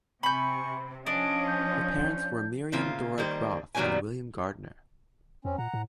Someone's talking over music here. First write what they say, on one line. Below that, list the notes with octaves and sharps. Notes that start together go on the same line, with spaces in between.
Her parents were Miriam Dora Groth and William Gardner.
C3 G#5 B5 C#6 G6
F3 C#4 D4 D#5 D7
G6
A2 C#3 A#3 C4 F4
D#3 G3 A#3 C5
A#2 D#3 F#3 G3 B3 G#5
F2 C4 C#4
A#2 F#5 A#5
A2